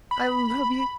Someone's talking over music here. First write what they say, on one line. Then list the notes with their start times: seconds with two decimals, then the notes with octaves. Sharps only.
I love you!
0.11 B5